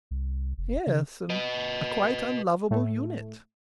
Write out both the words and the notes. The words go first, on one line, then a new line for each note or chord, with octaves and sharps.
Yes, and a quite unlovable unit.
C2
F1
C#3
B4 D#5
A2 A3